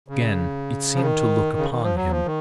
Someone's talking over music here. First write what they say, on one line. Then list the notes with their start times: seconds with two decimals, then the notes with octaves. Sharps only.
Again it seemed to look upon him.
0.08 C#3
0.95 F3
1.01 D#3
1.58 C#3
1.70 D#3
1.83 F3
1.95 F#3
2.10 F3
2.26 D#3